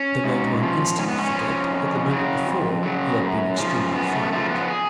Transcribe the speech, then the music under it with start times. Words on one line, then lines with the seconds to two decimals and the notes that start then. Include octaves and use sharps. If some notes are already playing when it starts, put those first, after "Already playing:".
They made one instantly forget that the moment before he had been extremely frightened.
Already playing: C#4
0.24 G#2
0.62 F3
0.98 G#2 C#4
1.08 B3
1.19 C#4
1.35 F3
1.72 F2
2.10 C#3 F#3
2.47 F2
2.83 C#3 F#3
3.21 F#2
3.58 C#3 F3
3.95 F#2 B3
4.13 A3
4.26 B3
4.31 C#3 F3 A3
4.50 B3
4.68 G#4